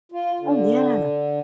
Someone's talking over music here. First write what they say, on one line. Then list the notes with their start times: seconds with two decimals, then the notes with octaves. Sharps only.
Oh, yeah.
0.12 F4
0.40 D3